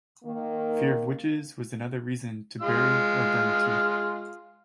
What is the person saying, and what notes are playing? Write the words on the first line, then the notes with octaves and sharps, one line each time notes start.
Fear of witches was another reason to bury or burn teeth.
D#3 A#3
G#3 F4 F6